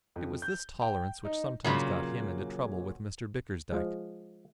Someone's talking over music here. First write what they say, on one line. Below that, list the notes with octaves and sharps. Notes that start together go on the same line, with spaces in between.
It was this tolerance which sometimes got him into trouble with Mr Bickersdyke.
F2
G6
G5
D#4
A#2 C#3 F#3
F3 G#3